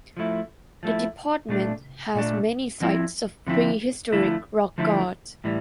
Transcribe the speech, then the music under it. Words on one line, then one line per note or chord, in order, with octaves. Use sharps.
The department has many sites of prehistoric rock art.
F3 A3 E4
F3 A3 E4
A#2 A3 D4
A#2 A3 D4
D3 F3 C4 E4
D3 F3 C4 E4
D3 F3 A3 E4
D3 F3 A3 E4
A2 E3 G3